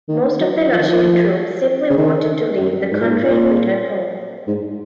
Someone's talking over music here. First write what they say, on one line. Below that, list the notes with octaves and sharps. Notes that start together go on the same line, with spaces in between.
Most of the Russian troops simply wanted to leave the country and return home.
D#3
F#3
F3
D#3
F3
C#3
D#3
F#2
G#2
A#2
G#2
A#2
G#2